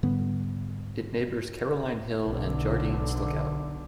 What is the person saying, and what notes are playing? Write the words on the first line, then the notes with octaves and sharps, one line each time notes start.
It neighbours Caroline Hill and Jardine's Lookout.
G#2 D3 G3 B3
B1 D3